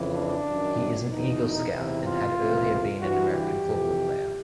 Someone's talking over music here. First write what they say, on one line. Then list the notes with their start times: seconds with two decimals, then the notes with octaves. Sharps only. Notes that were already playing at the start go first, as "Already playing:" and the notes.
He is an Eagle Scout and had earlier been an American football player.
Already playing: F2 C#3 E3
0.16 D4
0.47 F#2 D#3
1.11 E2 B2 D#4
1.74 E2 C3 E3 E4
2.05 F4
2.37 C#2 C3 E3
3.00 G2 E3 F#4
3.31 G4
3.63 F2 C3 E3